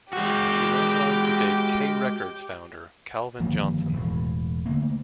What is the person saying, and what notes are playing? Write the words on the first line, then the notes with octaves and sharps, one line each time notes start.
She went on to date K Records founder Calvin Johnson.
G#3 F#4 G4
G1 D#3 F3 A#3
E1 A2
D3 A3 A#3